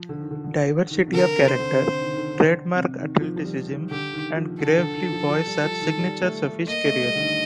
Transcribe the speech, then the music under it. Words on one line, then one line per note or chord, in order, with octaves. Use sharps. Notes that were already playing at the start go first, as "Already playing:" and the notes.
Diversity of character, trademark athleticism, and gravelly voice are signatures of his career.
Already playing: F3
D3
D#3
D3
D3
D#3
C3
D3 A#4
C3
C5
D3
C3
D3
D#3
D#3
D3
D3
D3
C3
D#3
D#3
F3
F3
G3
D#3
D3 G4
D#3
F3
D3 A4
D3
D#3
F3
F3
G3
F3
D#3
G3
A3
A3
A#3 D#5
A3
G3
D3
D#3